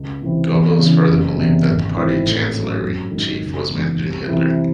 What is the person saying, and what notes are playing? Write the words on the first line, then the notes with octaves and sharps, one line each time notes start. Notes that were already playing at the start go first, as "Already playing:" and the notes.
Goebbels further believed that the Party Chancellery chief was managing Hitler.
Already playing: C#2
C3 E3 C4
E2
C#3 E3
F#1
E2 C3
G#1
G#2 E3 C4 E4
A2
F#3 C#4
F#2
D#3 G#3 D#4
F#1
E2 D#3 G#3
C2
C3 E3 C4 E4